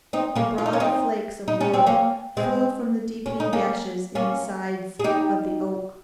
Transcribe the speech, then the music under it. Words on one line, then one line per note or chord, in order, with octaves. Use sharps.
The broad flakes of wood flew from the deepening gashes in the sides of the oak.
C4 D#4
A#3 C#4
F4
D#4
C#4
C4 D#4
D#4
C#4
C4
A#3 C#4
G#3 C4
C#4
D#4
A#3 C#4
A#3 C#4
G#4
D#4 G4